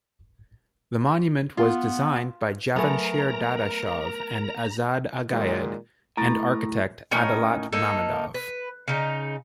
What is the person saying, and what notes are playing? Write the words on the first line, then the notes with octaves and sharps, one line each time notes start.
The monument was designed by Javanshir Dadashov and Azad Agayed, and architect Adalat Mammadov.
B3 F4
F#3 A3 B3 A#4 G#5 A#5
A#2 D#3 F#3 G#3
A2 A#5 A6
A2 C#4 D#4 A#4
A#3 D#4 A4
B4
C#3 D#4 A#5